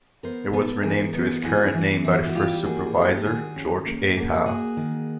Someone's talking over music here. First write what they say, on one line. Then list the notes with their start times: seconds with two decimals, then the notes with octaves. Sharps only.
It was renamed to its current name by the first supervisor, George A. Howe.
0.23 B3 A#4 C5
0.53 B3 A4 B4
0.83 E3 G#4 A#4
1.15 B3
1.44 E3 F#4 G#4
1.74 E3
2.04 E3 E4 F#4
2.27 F#4
2.35 G3 F4 G4
2.65 A#3 F#4 G#4
2.86 G#4
2.95 G3 G4 A4
3.15 G4
3.25 D#3 F#4 G#4
3.56 C#4
3.87 A#3
4.17 A#3 F#4 G#4
4.46 A#3 F#4 G#4
4.77 D#3